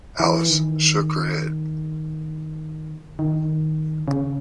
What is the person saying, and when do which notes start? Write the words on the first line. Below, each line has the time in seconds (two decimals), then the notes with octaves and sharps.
Alice shook her head.
0.20 E3
0.49 D#3
3.19 D#3
4.08 C#3